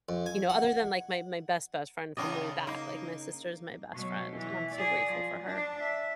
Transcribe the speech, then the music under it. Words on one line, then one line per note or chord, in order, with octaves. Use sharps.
You know, other than like my my best best friend from way back, like my sister is my best friend and I'm so grateful for her.
F2
G#5
F#5
A2 C#3 B3 D4 D5 D#5
A#3 D#4
B2 F#3
E3
G#4 D5
F3
D4
E5